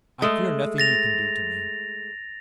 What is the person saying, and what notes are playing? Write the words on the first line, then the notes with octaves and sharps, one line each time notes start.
I fear nothing you can do to me.
G#3 A3
A6 A#6 F7